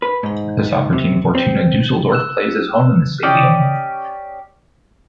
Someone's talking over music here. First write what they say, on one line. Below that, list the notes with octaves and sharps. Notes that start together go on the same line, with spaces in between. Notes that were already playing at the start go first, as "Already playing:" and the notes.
The soccer team Fortuna Düsseldorf plays as home in the stadium.
B4
G#2
C3
C4
E6 F#6 E7
C#4 G4 D5 D#5